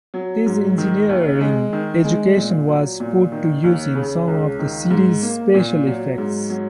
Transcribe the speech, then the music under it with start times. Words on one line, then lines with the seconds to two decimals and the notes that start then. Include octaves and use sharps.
His engineering education was put to use in some of the series' special effects.
0.14 F#3
0.46 G#2
0.78 D#3
1.09 D#2
1.41 G#3
1.73 D#3
2.04 G#3
2.37 A#2
2.68 F#3
3.00 A#2
3.32 D#3
3.64 D#2
3.95 C#3
4.28 C#2
4.59 D#3
4.91 G#2
5.22 A#3
5.54 A#2
5.87 F#3
6.18 G#2
6.50 F#3